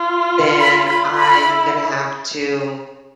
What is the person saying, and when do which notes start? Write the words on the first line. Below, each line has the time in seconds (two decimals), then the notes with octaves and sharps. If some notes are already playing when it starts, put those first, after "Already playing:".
then I'm gonna have to,
Already playing: F4
0.60 B5
0.88 B5
1.14 B5
1.42 E4